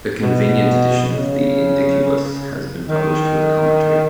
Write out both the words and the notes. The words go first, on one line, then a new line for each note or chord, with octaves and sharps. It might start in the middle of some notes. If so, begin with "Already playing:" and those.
A convenient edition of the Indiculus has been published with a commentary.
B2
C#3
D#3